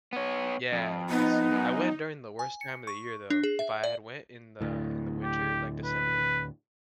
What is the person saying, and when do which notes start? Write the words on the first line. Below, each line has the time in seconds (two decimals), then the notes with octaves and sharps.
Yeah, you could see it. I went during the worst time of the year though. If I had went in the, in the winter, like, December,
0.13 B3 C#5
0.72 F2
1.09 B3 D#4
1.52 F#2
2.39 G#5
2.61 C#7
2.87 C#6
3.30 D4
3.44 G#4
3.59 E5
3.84 D5
4.61 D2 A2
5.24 G4
5.85 B4